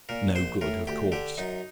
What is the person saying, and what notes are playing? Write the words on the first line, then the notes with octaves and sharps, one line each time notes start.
No good, of course.
A#2 A#4
A#1 C5
A2 A#4
D2 G4
D3 G4
F#2 D#4